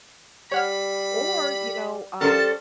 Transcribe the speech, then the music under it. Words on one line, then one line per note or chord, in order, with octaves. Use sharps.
or you know, uh,
G3 C#5 F#5 B5 F6
G3 C#4 A4 A#4 C5 A5